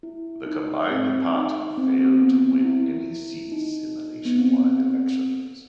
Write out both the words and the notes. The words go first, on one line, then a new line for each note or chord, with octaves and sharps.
The combined party failed to win any seats in the nationwide elections.
E4
D#4
C4
D#4
C4
C4
B3
C4
E4
D#4
B3
C4